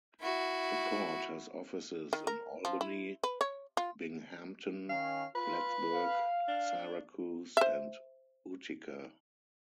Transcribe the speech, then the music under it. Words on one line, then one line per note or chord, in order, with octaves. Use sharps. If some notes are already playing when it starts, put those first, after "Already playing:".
The court has offices in Albany, Binghamton, Plattsburgh, Syracuse, and Utica.
E4 F#4
D#3
A#4
F3
E4
B4
C#5
F4
D#3 C#4 F5
F4 B4
F5
D4
C5 E5